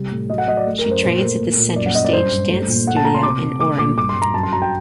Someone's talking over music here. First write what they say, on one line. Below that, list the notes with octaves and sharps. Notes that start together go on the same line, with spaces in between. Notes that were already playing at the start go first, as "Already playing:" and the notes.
She trains at the Center Stage dance studio in Orem.
Already playing: C3 G3
A2
F#3 D#5
F#5
F#3 D#5
D5
A3
A#4
F#2
C5
A#2 C5
A3 A#4
A#2
A#2
F#2 D5
F#5
F#2 D#5
D5
G2 C5
G2
A3
A#2
A3 F#5
A5
A3 A#5
C6
C3 D6
C3
A3 D6
A#2 D6
G2 D6
C6
G2
A#5
F#2 A5
C6
F#3 A#5
G5